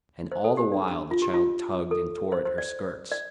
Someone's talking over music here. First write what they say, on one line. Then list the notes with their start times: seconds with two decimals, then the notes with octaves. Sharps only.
And all the while the child tugged and tore at her skirts.
0.32 C5
0.44 A4
0.57 G4
0.72 D4
1.11 F4
1.22 G4
1.34 F4
1.91 A4
2.32 C5
2.45 C5
2.58 D5
3.12 D5